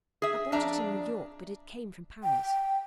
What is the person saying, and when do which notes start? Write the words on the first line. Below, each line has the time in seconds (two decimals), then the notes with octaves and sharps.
I bought it in New York, but it came from Paris.
0.22 G#4 E5
0.52 F2 D4 E5 A#5
2.24 G5